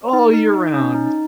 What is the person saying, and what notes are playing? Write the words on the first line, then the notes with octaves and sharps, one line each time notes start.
All year round.
D#4
D#4
D#4
C#4
D#4
D#4